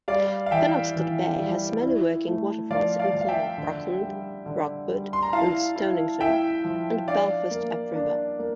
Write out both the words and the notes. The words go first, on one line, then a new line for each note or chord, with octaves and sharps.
Penobscot Bay has many working waterfronts including Rockland, Rockport, and Stonington, and Belfast upriver.
G3 D5 F5
F5
E3 E5 G5
E3
G3
E4
A3
F3 D5 F5
D5 F5
F3
F5
E5 G5
D3
G3
D3
G3
C6
A#5
E4 F5 A5
E4
E4 E5 G5
F3
D4 D5 F5
A#3
D4
A#3